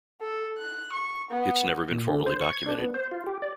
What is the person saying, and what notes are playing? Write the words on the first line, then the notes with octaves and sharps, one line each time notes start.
It's never been formally documented.
A4
F#6
C#6
B3
A#2
D3
C5
C#6
G#6
D4
B3
C5
F4
G4
D5